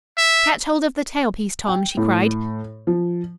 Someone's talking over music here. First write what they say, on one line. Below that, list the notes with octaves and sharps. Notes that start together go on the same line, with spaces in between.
"Catch hold of the tail piece, Tom," she cried.
E5
G5
A2
F3